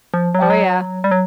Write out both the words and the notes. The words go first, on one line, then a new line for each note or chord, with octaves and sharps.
Oh, yeah.
F3
F#3
F3
F#3
G3
F#3